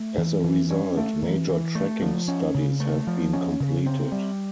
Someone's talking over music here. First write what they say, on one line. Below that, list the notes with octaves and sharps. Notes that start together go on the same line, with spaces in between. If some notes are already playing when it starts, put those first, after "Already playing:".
As a result, major tracking studies have been completed.
Already playing: A3
E3
E3
C#4
A3
E3
E3
A3
F3
C#4
C#3
A3
F3
C#4
C#3
C4
G3